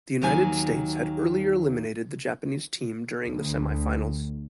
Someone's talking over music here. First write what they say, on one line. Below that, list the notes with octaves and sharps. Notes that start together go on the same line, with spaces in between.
The United States had earlier eliminated the Japanese team during the semi-finals.
D#2 D#3 F#3 G#5
D2